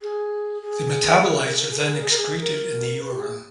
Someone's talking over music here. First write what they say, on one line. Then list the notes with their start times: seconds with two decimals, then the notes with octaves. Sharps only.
The metabolites are then excreted in the urine.
0.02 G#4
0.62 G#4
1.22 G#4
1.29 A#4
1.38 G#4
1.46 A#4
1.53 G#4
1.61 A#4
1.70 G#4
1.77 A#4
1.85 G#4
1.94 A#4
2.01 G#4
2.10 A#4
2.17 G#4
2.40 A#4
3.00 B4
3.10 G4
3.20 G#4